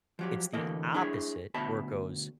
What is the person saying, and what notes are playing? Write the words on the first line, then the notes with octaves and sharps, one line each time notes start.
it's the opposite where it goes,
F3 F#3 G4
D2 E3 A#3 A4 D#5
D4 E4 G#4 C#5
D2 B2 E5 A5 B5